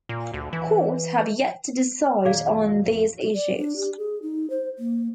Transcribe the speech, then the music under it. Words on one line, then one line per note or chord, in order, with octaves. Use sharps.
Courts have yet to decide on these issues.
A#2
D2
E3
F1 A#2 D#3 G#4 D5 F5
A1 F2
D5
D4
G4
G#4
D#4
C5
A#3